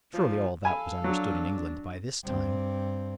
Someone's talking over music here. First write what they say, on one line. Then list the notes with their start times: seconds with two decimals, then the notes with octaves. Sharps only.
Surely all that was understood in England by this time.
0.12 A#2 F3
0.65 A4 F5 G#5 B5
1.04 F#3 D4
2.24 G2 C4